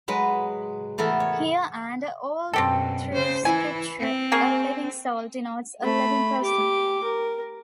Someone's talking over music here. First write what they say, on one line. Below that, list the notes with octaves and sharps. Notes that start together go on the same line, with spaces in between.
Here and "all through Scripture" a "living soul" denotes a "living person".
F#3 G#3 B4
E3 A3 B3 A4 A#4
C#5
F#2 B2 C4 G4 A4
C#3 C5
E3 E4 G#5
C4
A#3 G#4 C#6
A3 B5
G4 D6
A#4